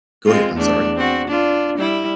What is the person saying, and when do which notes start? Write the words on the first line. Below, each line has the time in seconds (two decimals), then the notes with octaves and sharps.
Go ahead, I'm sorry.
0.25 G#3 C4 F4
0.55 E2 A3 D4
0.96 C4 F#4
1.27 D4 F4
1.77 G3 E4